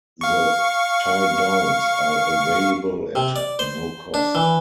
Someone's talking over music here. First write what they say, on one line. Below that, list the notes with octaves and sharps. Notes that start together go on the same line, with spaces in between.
The tie downs are available at no cost.
F5 C#6
C3
D5
C5
D4
E3